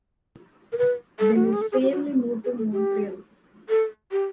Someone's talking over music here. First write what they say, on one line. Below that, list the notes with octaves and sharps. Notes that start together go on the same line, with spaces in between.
Then his family moved to Montreal.
A#4
B4
A4
F#4
G4
G#4
A4
G#4
G4
F#4
G#4
A4
G4
A4
G4